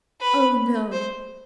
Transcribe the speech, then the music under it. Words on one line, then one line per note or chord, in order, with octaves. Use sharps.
"Oh, no!"
B4
C5